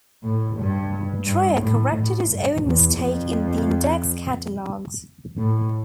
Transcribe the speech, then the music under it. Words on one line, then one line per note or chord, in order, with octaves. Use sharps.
Dreyer corrected his own mistake in the Index Catalogues.
A2
G2
G2
A2
A2
G2
E2
F2
A2